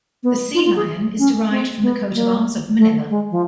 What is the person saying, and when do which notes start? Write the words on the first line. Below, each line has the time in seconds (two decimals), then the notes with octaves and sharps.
The Sea Lion is derived from the coat of arms of Manila.
0.23 B3
0.55 F4
0.65 F4
0.76 G#4
1.19 C#4
1.50 C4
1.82 B3
2.14 A#3
2.78 A3
3.09 G#3
3.31 F3